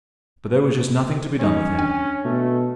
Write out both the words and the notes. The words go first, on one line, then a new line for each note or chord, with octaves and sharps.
But there was just nothing to be done with him.
G3 C#4 D#4
D4 G#5
B2 A3